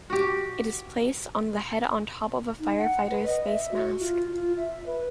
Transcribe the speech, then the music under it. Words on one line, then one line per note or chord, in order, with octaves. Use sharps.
It is placed on the head on top of a firefighter's face mask.
F#4 G4
D#4
F#5
B4
D#5
E5
F#4
F4
F4
E5
B4